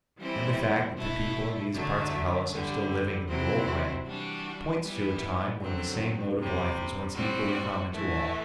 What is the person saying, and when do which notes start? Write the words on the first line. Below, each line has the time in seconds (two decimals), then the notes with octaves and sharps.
And the fact that the people in these parts of Hellas are still living in the old way points to a time when the same mode of life was once equally common to all.
0.18 E3 G3 C4 E4
0.95 B2 A3 E4
1.73 D3 F#3 A3
2.51 G2 D3 G3
3.28 C3 F#3 C4 E4
4.05 E3 G3 D4 F#4
4.83 E3 G3 B3 E4
5.60 F#2 D3 F#3 C4
6.37 E2 C3 G3
7.15 A2 G3 C4 F#4
7.92 A2 E3 A3